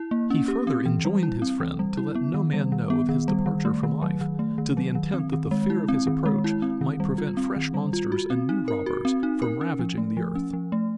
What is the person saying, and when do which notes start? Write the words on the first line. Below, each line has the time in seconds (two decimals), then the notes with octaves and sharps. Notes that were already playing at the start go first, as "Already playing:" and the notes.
He further enjoined his friend to let no man know of his departure from life, to the intent that the fear of his approach might prevent fresh monsters and new robbers from ravaging the earth.
Already playing: E4
0.11 A#3
0.30 C#4
0.48 G4
0.67 C4
0.86 E3
1.05 G3
1.23 E4
1.42 C4
1.60 E3
1.79 G3
1.97 E4
2.15 B3
2.34 D#3
2.53 G3
2.72 D#3
2.90 B3
3.09 D#3
3.28 G3
3.46 D#3
3.65 A3
3.83 D#3
4.02 F#3
4.21 D#3
4.39 A3
4.58 D#3
4.77 F#3
4.95 D#3
5.14 C4
5.33 D#3
5.51 G#3
5.70 E4
5.88 C4
6.07 D#3
6.26 G#3
6.44 E4
6.62 C4
6.81 D#3
7.00 G3
7.18 F4
7.37 C4
7.56 D#3
7.74 G3
7.93 F4
8.12 F#4
8.30 C4
8.49 D#4
8.68 A#4
8.86 F#4
9.05 C4
9.23 D#4
9.42 A#4
9.61 C#4
9.79 F3
9.98 A3
10.17 F3
10.35 C#4
10.53 F3
10.72 A3